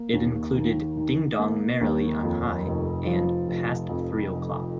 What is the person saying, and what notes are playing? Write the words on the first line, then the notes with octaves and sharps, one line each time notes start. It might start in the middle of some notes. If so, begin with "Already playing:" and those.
It included "Ding Dong Merrily on High" and "Past Three O'Clock".
Already playing: A#3
D#2
D#3
D#4
A#3
D#2
F2
F1
F3
F1
F2
F1